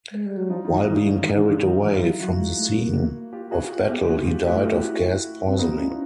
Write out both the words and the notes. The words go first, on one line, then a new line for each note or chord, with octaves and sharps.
While being carried away from the scene of battle he died of gas poisoning.
G#3
G3
F#3
F3 D#4 F4
D#3 D#4 F4
D#4 F4
D#3
D4 E4
C#4 D#4
D#3
D#3 D4 E4
D#3
D#3 D#4 F4
E3
E4
F#3
F4
F#3 E4 F#4
G#3
A3
A#3
F4 G4
F#4 G#4
F#4 G#4
B3 G4 A4
A#3 F#4 G#4
G#3 F4 G4
A3 E4 F#4
F4 G4
E4 F#4
C4
B3 D#4 F4
C#4 D4 E4